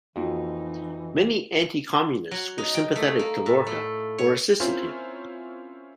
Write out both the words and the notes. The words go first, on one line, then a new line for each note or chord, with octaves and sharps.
Many anti-communists were sympathetic to Lorca or assisted him.
F2 E3 A#3 D#4 F#4
F#3
D#4
G5
A3
A#3
A2
A3
C#5
A#3 C4 C#4 E4 F4 C5